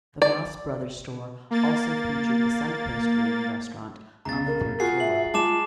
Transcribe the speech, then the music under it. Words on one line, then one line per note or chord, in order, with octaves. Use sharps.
The Maas Brothers store also featured the Suncoast Room restaurant on the third floor.
D5
A#3 A6
C#2 B2 A#5 A6
A#4
F4 F#4 G#4 C7
E5 F#7
G#3 F4 A5 D6 E7